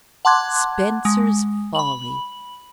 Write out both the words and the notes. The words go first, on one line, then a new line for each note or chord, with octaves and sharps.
Spencer's Folly!
F#5 A5 C6 D6 F#6 G#6
G#3
B5 F#7